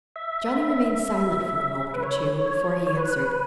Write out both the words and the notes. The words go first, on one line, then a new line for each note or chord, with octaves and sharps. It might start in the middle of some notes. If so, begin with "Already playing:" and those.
Johnny remained silent for a moment or two before he answered.
E5
B4
C#5
C#5
B4